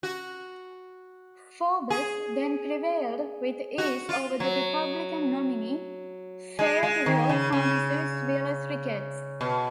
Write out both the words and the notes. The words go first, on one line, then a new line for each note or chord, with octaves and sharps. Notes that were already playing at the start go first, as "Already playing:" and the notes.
Faubus then prevailed with ease over the Republican nominee, Fayetteville pharmacist Willis Ricketts.
F#4
G#4
F#4
F4
F#3
G#3
G#3
D#3
C#3
C#3
B2